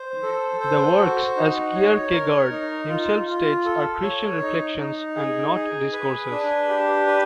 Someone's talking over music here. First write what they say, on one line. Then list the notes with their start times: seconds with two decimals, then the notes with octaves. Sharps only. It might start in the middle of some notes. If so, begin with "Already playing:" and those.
The "Works" as Kierkegaard himself states are Christian reflections and not discourses.
Already playing: C5
0.23 A4
0.60 C5
0.99 F#4
1.36 D#4
1.75 C#5
2.13 A#4
2.50 D#4
2.88 F4
3.27 F4
3.65 A4
4.02 C#5
4.41 D#4
4.79 D#4
5.16 G#4
5.55 G#4
5.93 B4
6.31 D4
6.69 G4
7.07 B4